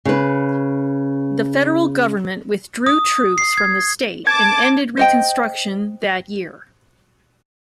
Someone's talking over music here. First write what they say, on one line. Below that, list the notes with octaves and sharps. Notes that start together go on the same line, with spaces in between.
The federal government withdrew troops from the state and ended Reconstruction that year.
C#3 B4
D#6
C7
G#6
A5 D6 G#6
C5 D#5 G5